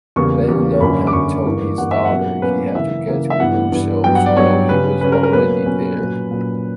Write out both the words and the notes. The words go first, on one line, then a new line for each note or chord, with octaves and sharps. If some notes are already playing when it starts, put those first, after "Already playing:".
Ben Lohan told his daughter he had to get to Brussels while he was already there.
E2 C#3 G3 A#3 C#6
E2 C#3 G3 A#3
F#2 D3 A#3 C#4 B5
D6
F#2 D3 A#3 C#4 C#6
G2 E3 A#3
G2 E3 A#3 F#5
E5
F#5
B2 F#3 A#3 C#4
B2 F#3 A#3 C#4 B4
C#3 E3 A#3 E5
C#3 E3 A#3
E5
G2 E3 B3 F#5
G2 E3 B3
G2 F#3 B3 G5
F#5
D5
G2 F#3 B3 C#5
C#3 G3 C#4 B4
C#3 G3 C#4 B4
A#4
A#4
B2 F#3 A#3 C#4 B4
B2 F#3 A#3 C#4
A#2 F#3 C#4
A#2 F#3 C#4